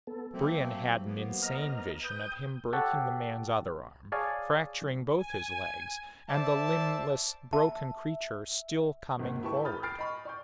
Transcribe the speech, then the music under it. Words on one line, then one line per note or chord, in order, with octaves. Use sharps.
Brion had an insane vision of him breaking the man's other arm, fracturing both his legs, and the limbless broken creature still coming forward.
B3 A4
F#3 A3 A#3 C4
F3 A#3 B3
D#5 A#5 F6
B4 G5 D#6 G6
G4 A4 C#5 F#5
G#4 C#5 D5 F5 G#5 A5
G#5
C5 D5 E5 A5
E5 A5
G#1 D#2
E4 G4 B4 A5 C#6
B5 D#6 F6 G6 A6
B5 F6 A6 C7 D7
D#5 B5 C#6
D5 C#6 G6